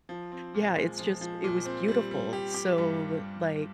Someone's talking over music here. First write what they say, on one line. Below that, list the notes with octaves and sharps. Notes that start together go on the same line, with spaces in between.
Yeah, it's just it was beautiful. So, like,
F3
C4
A#2
G#3
F3
F3
A#2
C4
G3
G3
G4
G4
G2